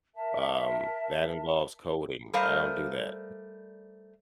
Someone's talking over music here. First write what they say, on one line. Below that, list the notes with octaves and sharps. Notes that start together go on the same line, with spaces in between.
um, that involves coding, I don't do that.
A#4 E5 A5
G3 A3 A#4 C5 D#5 F5